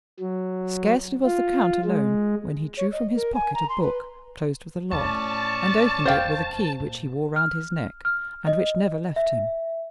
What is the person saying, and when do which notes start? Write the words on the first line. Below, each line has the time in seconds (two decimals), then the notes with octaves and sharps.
Scarcely was the count alone, when he drew from his pocket a book closed with a lock, and opened it with a key which he wore round his neck, and which never left him.
0.20 F#3
1.25 F4
1.85 G#3
2.77 C#5
2.92 D#5
3.15 A#4
3.34 G#5
3.54 A#5
3.69 C6
3.82 B4
4.91 D#1 E2 C#4 D5 A5 C#6
5.04 A2
6.05 E1 F2 C5 F5 G5
6.80 A#2
7.36 F6
8.05 F6
8.47 D#5
9.16 E5